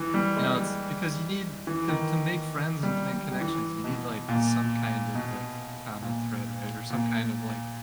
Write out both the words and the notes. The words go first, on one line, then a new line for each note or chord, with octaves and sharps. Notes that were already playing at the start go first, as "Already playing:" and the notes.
you know, it's because you need to to make friends and to make connections, you need, like, some kind of, like, common thread, right, or some kind of, like
Already playing: E3
G3
G#3
G3
E3
D#3
G3
G3
G3
E3
B2
A#2
B2
A#2
A#2